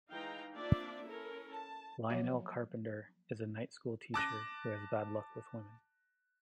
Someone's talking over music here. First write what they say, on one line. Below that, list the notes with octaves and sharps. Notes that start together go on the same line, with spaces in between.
Lionel Carpenter is a night-school teacher who has bad luck with women.
E3 G#3 D#4 F5 G5 A#5
A#3 C4 D4 F4 D5 E5
C#4 E4 A4 A#4
A5
F3 F#3 A#3 F#4 C#5 E5
A5 D6 F#6 A#6